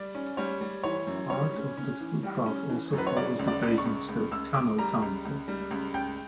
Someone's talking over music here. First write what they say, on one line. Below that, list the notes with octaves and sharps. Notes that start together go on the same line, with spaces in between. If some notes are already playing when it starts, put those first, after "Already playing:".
Part of the footpath also follows the Basingstoke Canal towpath.
Already playing: G3 D5
C#4
G3 C#5
G3
E3 C#5
F#2
G3 C#5
C#4
C#4
E3
G3
C#4
E3
F#2
B4
C#5
C#3 D5
C#2
D5
C#2
C#6
C#2
C#2
C#2 E6
C#2 D6
G3 A#5
C#2
C#2
G3
C#2
C#2 G5